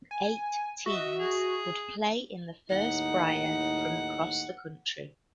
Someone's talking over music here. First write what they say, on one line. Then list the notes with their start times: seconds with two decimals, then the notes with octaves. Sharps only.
Eight teams would play in the first Brier, from across the country.
0.11 G#5
0.86 F#4 D#5 E5
1.19 G#4
2.70 D#2 A2 D#4 F#5